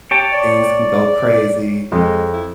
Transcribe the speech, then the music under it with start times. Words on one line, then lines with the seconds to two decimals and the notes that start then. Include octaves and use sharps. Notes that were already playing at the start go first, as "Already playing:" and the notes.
things can go crazy,
0.11 G4 C#5 G5 A5
0.33 D5
1.92 F2 G#3
2.33 E4